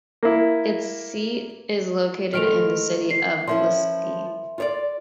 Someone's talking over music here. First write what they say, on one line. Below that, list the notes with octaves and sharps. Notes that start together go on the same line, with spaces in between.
Its seat is located in the city of Lysekil.
A#3 E4
D#3 G#3 A3 F6 D7 F7
C7
F3 C#4 E4 A#4 E5 C6
F4 C#5 D5